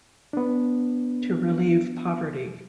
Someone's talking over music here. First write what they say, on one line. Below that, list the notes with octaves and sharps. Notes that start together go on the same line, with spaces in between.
To relieve poverty.
B3 D4